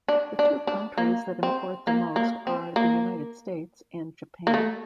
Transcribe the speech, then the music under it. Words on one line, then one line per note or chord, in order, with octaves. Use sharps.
The two countries that import the most are the United States and Japan.
D4
D4
D4
A#3
C4
A#3
A#3
C4
A#3
A#3
A3